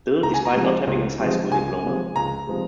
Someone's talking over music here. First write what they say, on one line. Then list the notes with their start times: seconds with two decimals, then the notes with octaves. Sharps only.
Bill, despite not having his high school diploma.
0.23 C#2 A#5
0.34 G#5
0.45 A#5
0.56 C3 F3 G#3
0.87 C#2
1.20 C3 F3 G#3
1.51 C#2 G#5
1.84 C3 F3 G#3
2.16 C#2 A#5
2.47 C3 F3 G#3